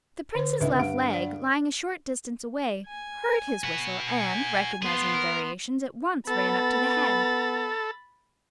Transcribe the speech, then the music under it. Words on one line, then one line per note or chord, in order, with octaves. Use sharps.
The Prince's left leg, lying a short distance away, heard his whistle, and, recognizing the variations, at once ran up to the head.
D3 B4
C#2 D3 B4 E5
G2 F#5 D7
D5
G#5
F#4 B4
G#5
B3 F4 G#4 C6
A#4
B3 A4 B5 A6